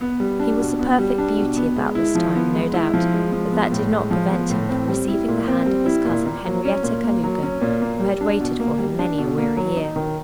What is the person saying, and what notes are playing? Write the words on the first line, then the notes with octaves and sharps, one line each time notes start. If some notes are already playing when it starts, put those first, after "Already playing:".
He was a perfect beauty about this time, no doubt, but that did not prevent him from receiving the hand of his cousin Henrietta Kalouga, who had waited for him many a weary year.
B3
G3
D4
B2
B3
G3
D4
B2
B3
G#3
E4
F3
B3
G#3
E4
F3
G#3
F3
B3
A2
G#3
F3
B3
A2
C4
G3
E4
A#2
C4
G3
E4
A#2
A#3
F#3
C#4
A#2
A#3
F#3
C#4
A#2
A#3
G3
D4
B2
A#3
G3
D4
B2
A#3
F#3
D#4
D#3